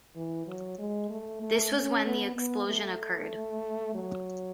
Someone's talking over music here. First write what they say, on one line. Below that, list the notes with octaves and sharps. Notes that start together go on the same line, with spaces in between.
This was when the explosion occurred.
E3
F#3
G#3
A3
A3
C#4
B3
B3
A3
F#3